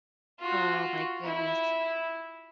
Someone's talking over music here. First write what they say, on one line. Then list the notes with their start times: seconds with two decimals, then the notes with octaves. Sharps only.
Oh my goodness.
0.40 F4 F#4
1.25 E4